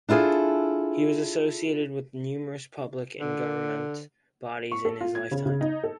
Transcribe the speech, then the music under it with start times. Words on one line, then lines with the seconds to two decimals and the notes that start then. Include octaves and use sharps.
He was associated with numerous public and Government bodies in his lifetime.
0.09 D4 E4 F4 G#4 A4
3.20 D3
4.72 C#6
4.85 A4
5.01 F4
5.15 G#6
5.31 C#3
5.46 C#3
5.61 D#4
5.84 A4